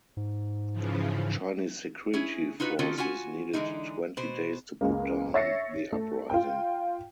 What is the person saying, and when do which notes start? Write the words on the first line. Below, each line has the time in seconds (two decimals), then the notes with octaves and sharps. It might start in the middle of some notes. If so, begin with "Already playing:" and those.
Chinese security forces needed twenty days to put down the uprising.
0.17 G#2
0.73 C#3 E3 F3
2.13 C#4 E4 G#4
2.60 D#4 F4 F#4 B4
2.79 D#3 C4 C#4 F4 F#4 A4
2.97 C#4 F4 F#4 F#5 G#5
3.53 D3 E3 G#3 A3 D#4
4.17 B2 C5
4.81 C#2 G#3 A#3
5.34 C#5 E5 A6 A#6 C7 C#7
5.92 A3
6.30 F4 G5